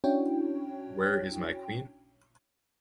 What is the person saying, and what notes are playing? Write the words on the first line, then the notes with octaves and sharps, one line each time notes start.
Where is my queen?
C#4 D4 E4 F#4 C#5 G5